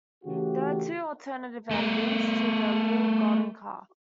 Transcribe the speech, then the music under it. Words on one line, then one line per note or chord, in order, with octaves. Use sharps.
There are two alternative endings to "The Little Golden Calf".
C#3 E3 A3 F#4 G4
A3 A#4